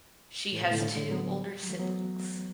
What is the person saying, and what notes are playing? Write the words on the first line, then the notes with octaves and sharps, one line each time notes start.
She has two older siblings.
A2
B2
A2 D3
A2 D3
A2 D3
F#3 B3
F#3
E3 A3
F#3 B3